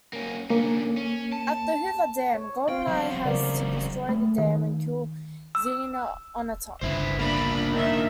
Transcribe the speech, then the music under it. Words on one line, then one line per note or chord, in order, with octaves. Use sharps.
At the Hoover Dam, GoldenEye has to destroy the dam and kill Xenia Onatopp.
A#3 C#4
D3 A#3 C#4
C#4
A5
C#5
C4 C5 F5 G5
E2 F#3
C#3 A#4 D5
A3
D#3
E6
G1 C#2 B3 E4 C5
A#3 D4 B5
D#3 E5